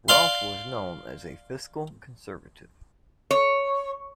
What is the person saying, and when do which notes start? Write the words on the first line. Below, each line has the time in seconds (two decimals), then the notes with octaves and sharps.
Roth was known as a fiscal conservative.
0.08 D5 F5 C6
3.31 C#5